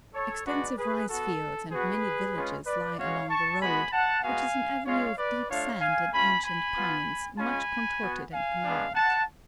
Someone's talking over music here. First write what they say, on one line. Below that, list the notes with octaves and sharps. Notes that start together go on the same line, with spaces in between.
Extensive rice-fields and many villages lie along the road, which is an avenue of deep sand and ancient pines much contorted and gnarled.
A4 C#5
G#3 D4 F#4 B4 D5
G#4 B4
B3 F#4 A4
B3 F#4 G#4 B4
G#3 C#4 F4
B4 D5
G#3 C#4 F#4 C#5 F5
A5 C#6
G#3 B3 F#4 G#5 B5
F#5 A5
G#3 B3 F#4 F5 G#5
G#3 C#4 F4 C#5 F5
B4 D5
A3 D4 F4 C#5 F5
F5 G#5
A3 C#4 F4 G#5 B5
G#5 B5
B3 F4
G#3 C#4 F4 G#5 B5
B3 F#4
F5 G#5
G#3 B3 D4
F#5 A5